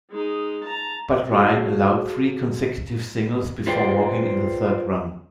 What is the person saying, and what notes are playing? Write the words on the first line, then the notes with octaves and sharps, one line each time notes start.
But Ryan allowed three consecutive singles before walking in the third run.
G#3 D#4
A5 A#5
F#4 G#4 A4 F5 A5
F4 G#4 B4 C5 D5 G5